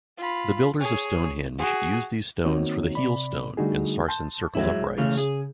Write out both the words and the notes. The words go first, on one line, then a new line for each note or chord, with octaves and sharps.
The builders of Stonehenge used these stones for the heelstone and sarsen circle uprights.
F4 B5
G#4 C#5
F#4 G#4
D#3 A#3 C4 D#4 F#4 C#5
C3 D5 B5
D3 G3 A3 D#4 F#4 G#4
A5 C6 G6
F2 G#2 F#3 C4 E4
G#3
C#3 E3 A3 F4
G#4